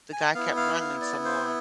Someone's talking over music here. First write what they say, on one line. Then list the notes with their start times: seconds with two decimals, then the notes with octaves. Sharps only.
the guy kept running some more.
0.13 G#5
0.35 B3 E4 F5
0.57 F5
0.74 E5
0.80 F5
1.01 D5
1.25 C5